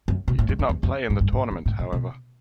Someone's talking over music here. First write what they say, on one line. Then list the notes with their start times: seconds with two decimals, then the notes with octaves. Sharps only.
He did not play in the tournament, however.
0.08 F#2
0.28 B2
0.39 A2
0.49 F#2
0.59 F2
0.69 E2
0.83 F2
1.10 G#2
1.21 G2
1.33 G#2
1.51 E2
1.66 A2
1.79 A#2
1.93 B2